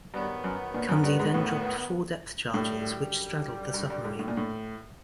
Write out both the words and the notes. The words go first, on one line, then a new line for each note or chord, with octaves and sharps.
Cundy then dropped four depth charges which straddled the submarine.
G2 D#3 F#3 B3
F#2
A#2
F#2
G2
G#2
A2
F#2 A2 D3 G3
G2
G2
G#2
A2
A#2
A2